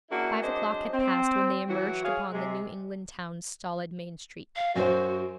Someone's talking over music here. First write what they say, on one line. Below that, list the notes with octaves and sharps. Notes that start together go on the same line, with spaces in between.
Five o'clock had passed when they emerged upon the New England town's stolid main street.
A#3 C#4 D4 E4 F#4 G#4
F#3 C4 D4 G#4 C5 D#5
C4
E3 F#3 F#4
G#4 C#5 F5
C3 G#3
F5
F#2 F#4 C5